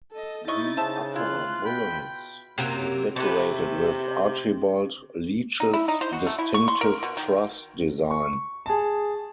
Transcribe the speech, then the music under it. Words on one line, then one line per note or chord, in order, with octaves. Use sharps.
The Upper Bullens is decorated with Archibald Leitch's distinctive truss design.
A4 D#5
C3 D#4 E4 D#5 C#6 A6
C#3 C5 E5 A5
E4 F4 F#6
B2 G5 B5
F#2 C3 F#3 A#3
C3 A3 B4
D#4
E4
D#4
C5
F#4
A3
E4
C#6
C6
A#4
B2
D#3
C#6
G#4 A5